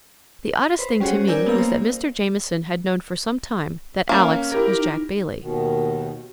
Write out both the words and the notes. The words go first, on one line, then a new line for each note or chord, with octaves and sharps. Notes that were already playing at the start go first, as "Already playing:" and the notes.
The oddest thing to me was that Mr. Jamieson had known for some time that Alex was Jack Bailey.
B4 C5
G3 C#4 F#4 G#4 C5 C#5
A#4 D5 G#5 E6 G6
A#3 B3 F5 A#6
C5
A#3 C#4
E4 G4 A#4
D#4
D#2 B2 D#3